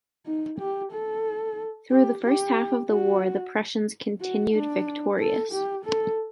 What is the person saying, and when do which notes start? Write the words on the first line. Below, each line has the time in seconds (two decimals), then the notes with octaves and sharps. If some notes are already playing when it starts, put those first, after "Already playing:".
Through the first half of the war, the Prussians continued victorious.
0.26 D#4
0.59 G4
0.92 A4
1.91 G4
2.23 G4
2.90 F#4
4.21 F#4
4.54 D4
5.19 A4
5.52 G4
5.85 A4